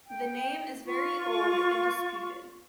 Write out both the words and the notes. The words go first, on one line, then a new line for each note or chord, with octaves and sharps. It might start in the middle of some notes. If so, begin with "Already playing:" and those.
The name is very old and disputed.
G5
F4 C#6